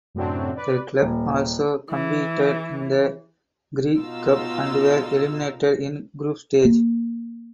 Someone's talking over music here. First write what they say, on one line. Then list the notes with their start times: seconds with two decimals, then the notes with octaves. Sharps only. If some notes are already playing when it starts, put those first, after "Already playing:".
The club also competed in the Greek Cup and were eliminated in Group Stage.
0.15 F#2 A2 C3 F#3 C4 D4
0.55 B4 D5
1.01 D#1
1.90 E3
3.96 B2 D#4 F4 F5 E6
6.65 A#3